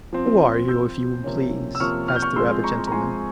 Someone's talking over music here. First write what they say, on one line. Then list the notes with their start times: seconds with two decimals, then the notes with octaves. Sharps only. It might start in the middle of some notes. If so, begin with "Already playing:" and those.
"Who are you, if you please?" asked the rabbit gentleman.
0.13 F3 C4
0.68 F3 C4 E6 G6
1.24 C3 F3 A#3 C#4
1.75 E6
1.80 C3 F3 A#3 C#4 C#6 F6
2.08 F6
2.16 G6
2.22 C#6 F6
2.36 F3 G#3 C4 C6 E6
2.64 A#5 C#6
2.87 A#5
2.92 F3 G#3 C4 G#5 C6